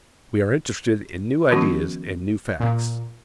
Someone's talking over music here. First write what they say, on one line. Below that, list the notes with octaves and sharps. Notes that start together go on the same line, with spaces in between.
We are interested in new ideas and new facts.
D#3 F3 G3 B3 C#4 F#4
A#2